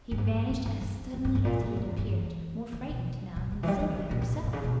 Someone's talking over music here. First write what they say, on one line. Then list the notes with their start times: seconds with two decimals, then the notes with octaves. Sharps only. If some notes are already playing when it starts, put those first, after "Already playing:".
He vanished as suddenly as he had appeared, more frightened now than Sylvia herself.
0.11 G2
0.18 G#2
0.49 G2
0.66 G2
0.81 E2
1.14 G2
1.25 G2
1.35 G2
1.45 A#2
1.62 G#2
1.77 G2
1.87 E2
1.98 G2
2.09 E3
2.73 D#3
2.89 B2
3.36 B2
3.52 C#3
3.63 E3
3.68 G3
3.79 E3
3.90 D#3
4.00 C#3
4.11 B2
4.22 A#2
4.32 G#2
4.43 A#2
4.53 C#3
4.64 B2